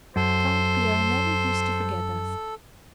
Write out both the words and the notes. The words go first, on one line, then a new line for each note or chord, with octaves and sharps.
Count Pierre never used to forget us.
F#2 A4 C5